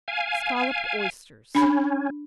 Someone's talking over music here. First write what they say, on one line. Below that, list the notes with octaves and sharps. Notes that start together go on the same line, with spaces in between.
Scolloped Oysters.
F5 G#5
C#4 D4 B5